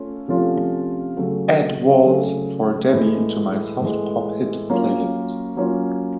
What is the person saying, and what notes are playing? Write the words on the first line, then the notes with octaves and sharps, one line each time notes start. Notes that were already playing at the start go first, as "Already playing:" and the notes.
Add Waltz for Debby to my Soft Pop Hits playlist.
Already playing: A3 C#4 F4
C3 F3 A3 C#4 F4
C#3 F#3 A3
C#3 F#3 A3
A2 E3 G#3
A2 E3 G#3
F#3 A#3 C#4 F4 A#4
F#3 A#3 C#4 F4 A#4